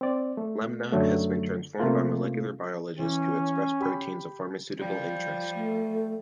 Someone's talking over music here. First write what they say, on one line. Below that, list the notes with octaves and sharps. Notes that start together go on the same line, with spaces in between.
"Lemna" has been transformed by molecular biologists to express proteins of pharmaceutical interest.
C4 D5
A3
F#2 D3 F#3 A3
C3 A3 A#3 F4
E3 C#4
G4 B5
F3 G3
A3